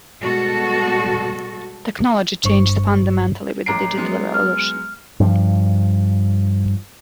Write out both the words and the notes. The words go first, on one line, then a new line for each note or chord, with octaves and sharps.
Technology changed fundamentally with the digital revolution.
B2 G3 G#3 B3 F#4 A4
G1 G2 C5 C#6
A1 A3 A#5 C7 D7
F#3 G#3 B3
F6
G2 F3